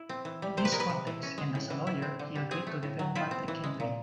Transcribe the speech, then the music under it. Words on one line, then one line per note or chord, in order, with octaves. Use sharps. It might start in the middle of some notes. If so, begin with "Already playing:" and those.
In this context, and as a lawyer, he agreed to defend Patrick Henry.
Already playing: E4
C4
E3
G3
C3 C5
B4
G#3 A#4
B4
C3
E3
C#4
G#3
A2
E3
E4
C4
D3
G3
C4 G#4
A3
A2
F#3
E4 F4
C4
E3
G#3
A#2